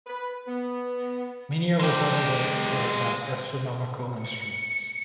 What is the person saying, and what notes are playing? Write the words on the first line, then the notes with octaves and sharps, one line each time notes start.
Many of his other works were about astronomical instruments.
B4
B3
G#3 G4
C#7